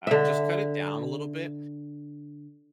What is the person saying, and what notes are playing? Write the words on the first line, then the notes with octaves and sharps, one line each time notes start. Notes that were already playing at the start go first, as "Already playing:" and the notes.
Uh, just cut it down a little bit,
D3 E5